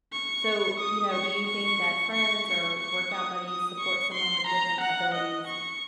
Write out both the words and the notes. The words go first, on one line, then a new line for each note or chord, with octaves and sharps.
So, you know, do you think that friends or workout buddies support someone with different abilities,
C#6
D#6
C#6
C#6
C#6
C#6
C#6
D#6
D#6
C#6
C6
A#5
F#5
D#5
C#6